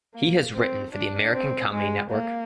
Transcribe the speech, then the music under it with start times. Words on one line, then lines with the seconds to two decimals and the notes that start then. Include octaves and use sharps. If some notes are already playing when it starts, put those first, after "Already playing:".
He has written for the American Comedy Network.
0.14 A#3
0.53 C4
0.93 D4
1.33 C4
1.71 G#3
2.11 A#3